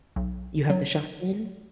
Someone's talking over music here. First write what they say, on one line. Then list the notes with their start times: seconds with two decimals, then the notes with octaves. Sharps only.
you have the shotguns?
0.16 B1
0.70 F#3